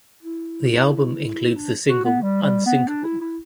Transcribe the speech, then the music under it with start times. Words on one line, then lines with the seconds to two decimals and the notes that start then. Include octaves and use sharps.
The album includes the single "Unsinkable".
0.23 E4
1.56 D4
1.89 F#4
2.05 B3
2.22 G3
2.43 G3
2.66 B3
2.88 D4
3.04 E4
3.21 E4